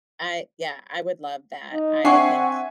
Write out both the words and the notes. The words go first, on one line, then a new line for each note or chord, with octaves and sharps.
uh, yeah, I would love that. I think,
D#4
C4 D4 E5 F#5 G#5 C#6 C7